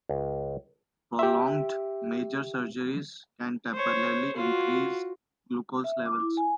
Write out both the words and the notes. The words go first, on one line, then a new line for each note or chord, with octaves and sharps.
Prolonged, major surgeries can temporarily increase glucose levels.
C#2
G4 E5
C5 C#5
F4 F#4
E5
D6
E4
G#5